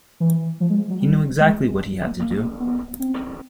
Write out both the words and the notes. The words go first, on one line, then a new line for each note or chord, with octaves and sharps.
He knew exactly what he had to do.
E3
F3
G#3
F#3
G3
G#3
F#3
A#3
A#3
B3
C4